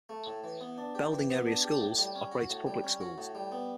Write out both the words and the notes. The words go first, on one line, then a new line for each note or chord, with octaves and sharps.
Belding Area Schools operates public schools.
A3
A2
E3
B3
D4
G4
E3
B3
D4
G4
A2
G3
C#4
F#4
A2
G3
C#4
F#4
A2
G3
B3